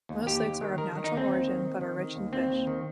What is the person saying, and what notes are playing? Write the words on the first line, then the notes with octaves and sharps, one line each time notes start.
Most lakes are of natural origin, but are rich in fish.
D#2
D#2 G4
D#2
D#3
D#3 A#4
D#3
D#4
D#2 C4
D#2
D#3
D#3
D#3
D#3
D#2
D#2 C4
D#2
D#3